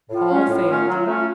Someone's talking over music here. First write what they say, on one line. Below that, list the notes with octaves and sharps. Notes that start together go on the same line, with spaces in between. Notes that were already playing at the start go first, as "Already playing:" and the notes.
All failed.
A2 F4
F#3 A3 C#4
A2
F#3 A3 C#4
F#3
A3 C#4